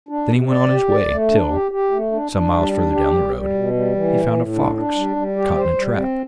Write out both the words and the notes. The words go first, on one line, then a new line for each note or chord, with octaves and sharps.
Then he went on his way till, some miles further down the road, he found a fox caught in a trap.
D4
C3
D5
G4
D5
A3
D4
G4
G4
A3
D4
D4
G3
D4
G4
G3
G3
B2
G3
E3
A2
A2
D4
D4
G3
G3
G4
C5
G3
C4